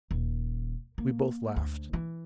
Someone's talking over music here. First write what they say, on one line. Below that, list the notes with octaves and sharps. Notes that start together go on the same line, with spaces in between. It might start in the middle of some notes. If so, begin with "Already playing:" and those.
We both laughed.
D#1
A#3
D2
E3